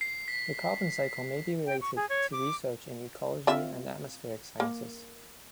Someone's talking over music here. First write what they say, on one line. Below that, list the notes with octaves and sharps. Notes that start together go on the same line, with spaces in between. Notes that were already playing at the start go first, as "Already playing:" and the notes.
The carbon cycle may be related to research in ecology and atmospheric sciences.
C7
B6
G5
C#6
G#4
C#5
D6
C4 F4 E5
A#3